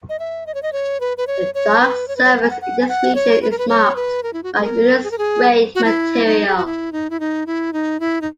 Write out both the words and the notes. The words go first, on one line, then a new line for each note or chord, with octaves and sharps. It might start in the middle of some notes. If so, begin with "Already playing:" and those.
The dark surface in this region is marked by Euler's ray material.
D#5
E5
D#5
C#5
D#5
C#5
B4
B4
C#5
C#5
B4
C#5
B4
C#5
F#5
G#5
F#5
F#5
G#5
F#5
C#5
B4
A#4
B4
C#5
B4
A#4
E4
F#4
G#4
A#4
G#4
A#4
G#4
F#4
E4
D#4
G#4
F#4
E4
D#4
E4
D#4
E4
D#4
E4
D#4